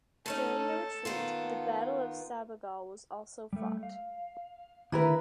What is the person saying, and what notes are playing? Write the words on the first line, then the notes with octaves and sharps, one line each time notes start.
During the retreat, the Battle of Sabugal was also fought.
A3 C#4 D#4 A4
D#3 B3 F4
G3 A3
F5
D3 D#3 E4 A#4 B4